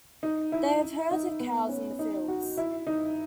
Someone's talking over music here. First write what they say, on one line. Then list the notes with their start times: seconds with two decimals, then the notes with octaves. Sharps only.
They have herds of cows in the fields.
0.23 D#4
0.52 E4
1.11 D#4
1.40 B3
1.69 C#4
1.99 D#4
2.28 F#4
2.57 E4
2.87 D#4